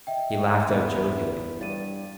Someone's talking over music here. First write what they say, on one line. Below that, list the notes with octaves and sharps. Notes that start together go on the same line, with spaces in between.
He laughed out jovially.
D#5 E5 G5
E2 B3 E5
G2 A6 D#7